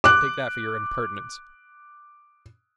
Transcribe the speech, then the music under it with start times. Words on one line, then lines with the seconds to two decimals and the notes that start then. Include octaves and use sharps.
Take that for your impertinence.
0.04 D6 F#6